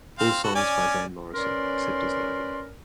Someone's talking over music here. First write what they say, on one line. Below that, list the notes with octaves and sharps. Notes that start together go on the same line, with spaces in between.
All songs by Van Morrison except as noted.
C4 F5
F#4 A4
C#4 D5 G#5
C#4 A#4 B4 D5 C6